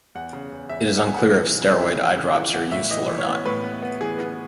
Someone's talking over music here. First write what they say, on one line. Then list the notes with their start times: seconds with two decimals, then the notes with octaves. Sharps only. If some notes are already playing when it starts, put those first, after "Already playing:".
It is unclear if steroid eye drops are useful or not.
0.15 E2 F#5
0.33 C#3
0.52 E2
0.69 E2 E5
0.88 E2
0.98 F#5
1.07 E2 G#5
1.16 F#5
1.26 E3
1.44 E3
1.62 C#3
1.80 E3 E5
1.99 E2
2.17 C#3
2.35 E3 F#5
2.53 E3 F#5
2.72 A2 E5
2.91 E3 D#5
3.09 E3
3.18 C#5
3.27 B3
3.45 A2 B4
3.63 B3
3.82 B3
4.01 E3 G#4
4.19 B3